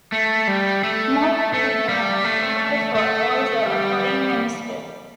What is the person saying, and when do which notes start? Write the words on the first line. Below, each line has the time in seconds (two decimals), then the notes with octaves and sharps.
Moshe Dayan served also as Foreign Minister.
0.12 A3
0.48 G3
0.84 A3
1.53 A3
1.89 G3
2.24 A3
2.95 A3
3.66 G3